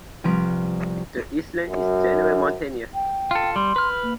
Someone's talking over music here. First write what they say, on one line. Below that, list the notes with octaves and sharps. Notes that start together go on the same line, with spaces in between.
The island is in general mountainous.
C2 F3 B4 F6 D7
F#2
G5
F4 A4
G3 C6
B4 F6
A#3